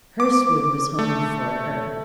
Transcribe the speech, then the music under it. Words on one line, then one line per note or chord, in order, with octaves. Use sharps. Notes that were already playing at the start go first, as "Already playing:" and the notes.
Hurstwood was home before her.
D6
A3